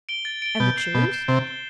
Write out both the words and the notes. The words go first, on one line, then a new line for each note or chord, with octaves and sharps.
"And the chilis?"
D7 G7
A6
D7 G7
B2 G6
C7 E7
B2 G6
C7 E7
C3 A6
D7 G7